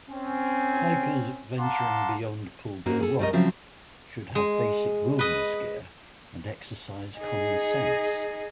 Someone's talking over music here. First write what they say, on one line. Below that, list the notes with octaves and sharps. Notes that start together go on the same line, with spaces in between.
Hikers venturing beyond Pulpit Rock should have basic wilderness gear and exercise common sense.
C4 C#4 G#5
F5 F#5 A5 A#5 C6 D6
G#2 A#3 C#4 F#4
G#4 A4
G3 A3 E4 A#4 D#5
C#3 F3 F#3 C4 E5
G#3
B4 D#5
D#4 G#4